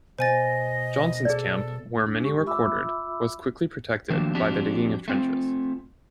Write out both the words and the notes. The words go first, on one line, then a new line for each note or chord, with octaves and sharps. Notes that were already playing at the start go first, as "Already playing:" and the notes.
Johnson's camp, where many were quartered, was quickly protected by the digging of trenches.
B2 C5 D#5 G#5 A6
G#4 A4 D5
D4
G#3 G4 C#6
F4 E5 B5 D6 E6
D#3 F3 F#3 A3 A#3 D4
F3 C4 D4 F#4 G4
A3 C4 F4